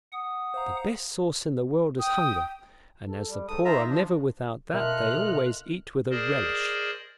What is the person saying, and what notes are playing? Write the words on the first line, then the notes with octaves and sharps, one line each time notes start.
The best sauce in the world is hunger, and as the poor are never without that, they always eat with a relish.
F#5 D#6
C5 F5 A#5
G5 D#6
A4
G3
G#2 A4 D#6
D#4 F4 E5 A#5
F3 D4
B2 F4 A4 A#4 D#5 E5 F6 F#6
G#4 A#4 C5 D5 D#5